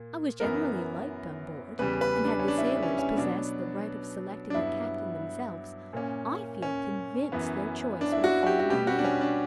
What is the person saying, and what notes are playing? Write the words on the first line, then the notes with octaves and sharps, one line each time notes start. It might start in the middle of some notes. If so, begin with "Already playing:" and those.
I was generally liked on board, and had the sailors possessed the right of selecting a captain themselves, I feel convinced their choice would have fallen on me.
Already playing: A#2 A#3
F#2 E3 B3 A#4
E2 C#3 G3 B4
B4
D4
C#4
D4
E4
D4
C#4
C#4
B2 F#3 B3 D4
D4
G2 F#3 B3 E4
A#2 A#3 C#4
C#4
F#2 E3 B3
D4
E4
F#4
F#4
G4
F#4
B2 G3 B3 G4
F#4
D4
C#4
D4